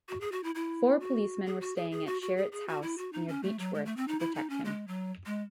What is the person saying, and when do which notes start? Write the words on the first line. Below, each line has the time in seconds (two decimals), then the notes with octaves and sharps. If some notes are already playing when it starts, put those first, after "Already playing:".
Four policemen were staying at Sherritt's house, near Beechworth, to protect him.
0.09 F#4
0.21 G#4
0.32 F#4
0.44 E4
0.55 E4
1.00 F#4
1.46 G#4
1.61 F#4
1.76 G#4
1.92 G#4
2.07 F#4
2.22 F#4
2.37 G#4
2.52 G#4
2.68 F#4
2.82 E4
2.98 F#4
3.13 D#4
3.28 C#4
3.43 A3
3.59 F#3
3.74 G#3
3.85 A3
3.97 C4
4.08 D#4
4.20 E4
4.35 D#4
4.50 C#4
4.65 G#3
4.88 F#3
5.26 G#3